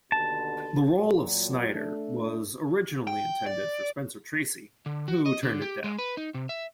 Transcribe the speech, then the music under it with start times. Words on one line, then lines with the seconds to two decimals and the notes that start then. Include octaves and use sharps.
The role of Snyder was originally intended for Spencer Tracy, who turned in down.
0.12 D#2 B2 D3 A5
0.99 A#2 F#3
1.74 A3 D4
3.07 G5
3.46 D5
4.86 D3
5.08 F#4
5.26 D#5
5.43 D3
5.62 G4
5.84 G#3
5.99 B4
6.17 D#4
6.34 C3
6.49 E5